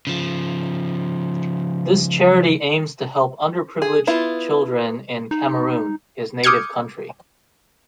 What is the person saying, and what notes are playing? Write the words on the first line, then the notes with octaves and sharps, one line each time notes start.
This charity aims to help underprivileged children in Cameroon, his native country.
C#3 F3
G#4
B3 E4 F4
D#4
D6 D#6 F6 G6 G#6 C#7